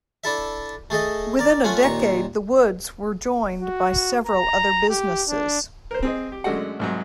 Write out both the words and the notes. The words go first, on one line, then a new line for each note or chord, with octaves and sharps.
Within a decade the Woods were joined by several other businesses.
D4 E4 A4 E5
A3 G#4 A4 D#5
A#4 D5
A3 C#4 F4 F#5 G#5
D#2 A#2 A#5 C#6
F#4
A#5
G4
D4
A#4 C5
C4 G#4 D#5
G4
F#2 D3 G#3 A3 F#4 F#5
C2 G#2 F#3